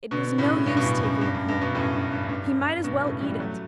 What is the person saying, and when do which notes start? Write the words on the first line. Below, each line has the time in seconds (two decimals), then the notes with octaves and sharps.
It was no use taking it home, he might as well eat it.
0.11 B2 D3
0.38 A2 C#3
0.56 C#3
0.66 G2 B2
0.77 B2
0.84 F#2 A2
1.03 F#2
1.21 G2
1.34 F#2
1.49 G2
1.61 G2 B2
1.75 F#2 A2
1.94 G2
2.12 G2
2.25 F#2
2.29 G2
2.44 F#2
2.84 G2 B2
3.03 A2 C#3
3.21 E3 G3
3.39 F#3 A3